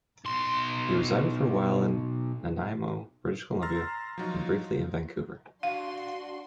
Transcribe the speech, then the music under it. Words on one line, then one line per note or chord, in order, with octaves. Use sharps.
He resided for a while in Nanaimo, British Columbia, and briefly in Vancouver.
B1 C6
A#5 C6 E6 F6 A6 A#6
F3 F#3 D#4
D4 F#4 F5 C6